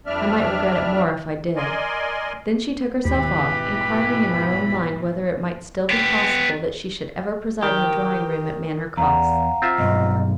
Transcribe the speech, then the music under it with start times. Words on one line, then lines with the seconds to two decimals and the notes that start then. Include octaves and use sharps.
"I might regret it more if I did." Then she took herself off, enquiring in her own mind whether it might still be possible that she should ever preside in the drawing-room at Manor Cross.
0.06 F2 G3 D4 D5 E5 F6
1.56 A#4 D5 D#5 G#5 C6
3.05 D#2 G#2 B2 E3 G4 B4 B5
5.90 B3 G4
7.63 D#3 G4 A#4
8.97 E2 F5 F#5 A#5
9.62 C4 F4 E5
9.78 B1 G2 D#5